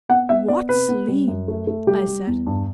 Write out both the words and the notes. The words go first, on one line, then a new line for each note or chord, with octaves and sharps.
"What sleep!" I said.
B3 F#5
B3 E5
B3 D5
C3 B4
B3
G3
F#2
A3
A3
G3 G4
G3
E2
G2